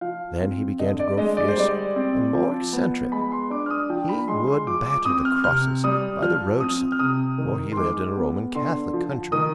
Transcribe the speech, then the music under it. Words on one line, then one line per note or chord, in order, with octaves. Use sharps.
Then he began to grow fiercer and more eccentric; he would batter the crosses by the roadside; for he lived in a Roman Catholic country.
F3 F5
C4
D3 D#5
D5
G#3 D#5
D5
C5
G3 D5
C4
F3
B3
G#3 B5
C6
D4 D6
F6
D#6
F3 G5
B5
G#3 C6
C6
F3 D6
D6
C4 D#6
F6
C3 F6
G3 D#6
F3 F6
C4 D#6
F6
C3 D#6
D#3
C6
G#3 D6
B3
D3 C6
F3
D#3 D#6